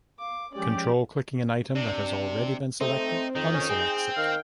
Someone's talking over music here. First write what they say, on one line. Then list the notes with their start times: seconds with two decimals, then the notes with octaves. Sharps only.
"Control-clicking" an item that has already been selected, unselects it.
0.19 F5 D6
0.54 F3 G#3 C#4 G4 D5
1.75 C3 D4
2.81 A3 C4 D#4
3.36 F2 D#3 D#4
3.54 C#4
3.69 C4 G#4 G5
4.17 D#3 F5